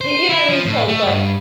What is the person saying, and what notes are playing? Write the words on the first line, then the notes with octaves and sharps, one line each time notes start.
Y you know what I mean? So but
C5
E4
F3
A2
A3
G2